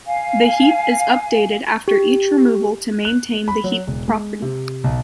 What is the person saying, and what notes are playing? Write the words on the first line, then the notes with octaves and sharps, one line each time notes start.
The heap is updated after each removal to maintain the heap property.
F5 G#5
G4
F#6
B5
F#3
E1
G#3
C3
B1